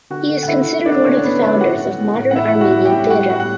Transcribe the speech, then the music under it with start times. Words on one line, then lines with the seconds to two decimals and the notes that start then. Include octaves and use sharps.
He is considered one of the founders of modern Armenian theater.
0.10 D3 F#4 F#5
0.29 A3
0.43 F#5
0.48 D3 E4 E5
0.67 D3
0.85 A3 D4 D5
1.04 D3 C#4 C#5
1.23 D3 B3 B4
1.41 A3 E4 E5
1.61 A2 F#4 F#5
1.80 A2
1.99 A2
2.17 A2
2.31 F#5
2.35 E3 E4 E5
2.54 A2
2.61 F#4 F#5
2.73 G3
2.85 G4 G5
2.92 A2
3.10 G3 F#4 F#5
3.29 G3 F#4 F#5
3.40 F#5